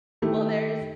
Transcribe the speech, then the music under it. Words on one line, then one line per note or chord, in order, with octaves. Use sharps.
Well, there's
D#3 A3 E4 G4